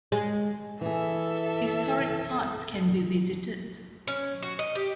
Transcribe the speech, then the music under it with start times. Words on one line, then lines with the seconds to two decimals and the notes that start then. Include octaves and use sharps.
Historic parts can be visited.
0.12 G#3
0.81 E3 G#4 A4 E5
4.07 C#4
4.42 F#4
4.59 D#5
4.75 G4